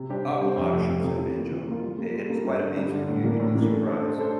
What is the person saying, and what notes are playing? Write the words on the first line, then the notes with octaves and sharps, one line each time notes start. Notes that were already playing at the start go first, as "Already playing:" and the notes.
Oh, a lot of shows have banjo. I it's quite amazing, you'd you'd be surprised.
Already playing: C3
G3 D4 G4 C5
C3
G3 D4 G4 C5
F2
C3 F3 A3 C4
F2
C3 F3 A3 C4
E3
A#3 F4
E3
A#3 F4
G3
A#3 F4 A4
G3
A#3 F4 A4
G2
D3 G3 D4
G2
D3 G3 D4
A2
E3 A#3 D4
A2
E3 A#3 D4
A3
D4 A4 C5
A3
D4 A4 C5